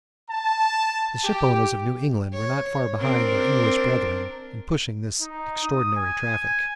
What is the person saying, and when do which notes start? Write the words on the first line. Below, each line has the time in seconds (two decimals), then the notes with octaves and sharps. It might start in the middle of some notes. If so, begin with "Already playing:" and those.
The ship owners of New England were not far behind their English brethren in pushing this extraordinary traffic.
0.28 A5
1.22 G4
2.33 C#5
3.00 C4 D4 A#4
5.21 D#4
5.64 D#6
5.96 G#5